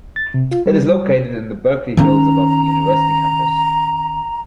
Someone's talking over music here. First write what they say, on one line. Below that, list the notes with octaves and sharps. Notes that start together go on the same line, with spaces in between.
It is located in the Berkeley Hills above the university campus.
A6
C3
F4
G3
D#3 C#4 A#5